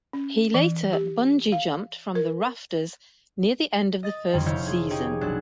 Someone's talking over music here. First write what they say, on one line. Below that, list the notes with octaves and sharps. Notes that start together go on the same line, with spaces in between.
He later bungee-jumped from the rafters near the end of the first season.
C#4
E3
G4
F5
A#4
D#5 A6
F2 D3 D#3 G3
F1 F3 E4 C#5 F5 G6
G#4
C#4 D#4 G4 G#4 G#5
B1 F#3 D4 F#6